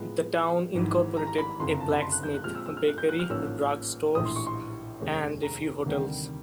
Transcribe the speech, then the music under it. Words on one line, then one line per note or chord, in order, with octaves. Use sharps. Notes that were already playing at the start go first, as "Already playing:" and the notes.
The town incorporated a blacksmith, bakery, drug stores, and a few hotels.
Already playing: A2 F3 G#3 B3
G#1 G#2 E3
A#5
A#5
B5
F#1 F2 D3 C6
A#5
A5
B5
C6
F#6
G6
F#6
A#2 F3 G#3 C4 F6
E6
E6
F6
F#6
G6
F#6
F6
A1 G#2 F3 A#3 C#4 E6
A#1 A2 E3 D#6
C6
C#6
C6
F1 D#2 D#3 G#3 C#4
A#5
D2 C3 D#3 G3